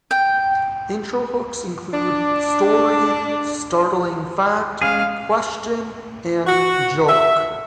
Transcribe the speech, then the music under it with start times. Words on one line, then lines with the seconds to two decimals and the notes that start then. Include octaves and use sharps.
Intro hooks include "story", "startling fact", "question", and "joke".
0.11 G5
1.93 D4 D5
4.82 G#3 C#4 G#4 F5
6.46 F#4
7.08 E5